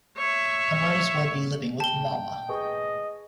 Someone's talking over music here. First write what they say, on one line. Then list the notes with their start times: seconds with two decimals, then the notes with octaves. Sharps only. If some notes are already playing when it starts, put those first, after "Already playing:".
I might as well be living with mama.
0.17 C#5 E5
1.80 G5 A5 G7
2.49 G#4 B4 D#5 C#6